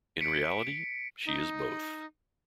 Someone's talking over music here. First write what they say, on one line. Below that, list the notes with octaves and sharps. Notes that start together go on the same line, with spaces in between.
In reality: she is both.
B6 C#7 D7
D#4